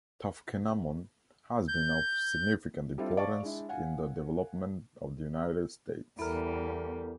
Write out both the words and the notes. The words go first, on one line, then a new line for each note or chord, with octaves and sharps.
Toughkenamon has been of significant importance in the development of the United States.
G6
G3 C4 D4 E4 F4 A4
D5 F5 A5 C#6
G#3 D4 E4
F5 F#5 G#5
E2 G3 B3 E4 A4 A#4